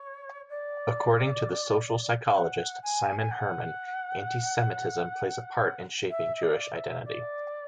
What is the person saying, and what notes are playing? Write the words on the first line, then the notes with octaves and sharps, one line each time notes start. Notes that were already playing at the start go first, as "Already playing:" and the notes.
According to the social-psychologist Simon Herman, antisemitism plays a part in shaping Jewish identity.
Already playing: C#5
D5
G#5
F#5
G#5
G#5
F#5
E5
E5
D5
E5
D5